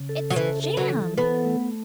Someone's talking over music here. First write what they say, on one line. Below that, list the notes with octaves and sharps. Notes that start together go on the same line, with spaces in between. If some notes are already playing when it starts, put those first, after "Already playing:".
It's JAM!
Already playing: C#3
A4
F#3
C#3 E3
A4
F#3
E3
B3 A4
A3